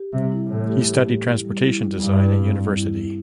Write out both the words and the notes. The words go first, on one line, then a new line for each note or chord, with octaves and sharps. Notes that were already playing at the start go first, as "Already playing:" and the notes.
He studied Transportation Design at university.
Already playing: G4
C3 G3
E4
A2 E3
G4
G4
G4
E4
G3
E4
G3
G2 G3
E4
C4
G3
E4
E4